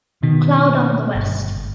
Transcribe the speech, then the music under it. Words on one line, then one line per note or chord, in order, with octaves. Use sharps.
Cloud on the west.
B2 D#3
G1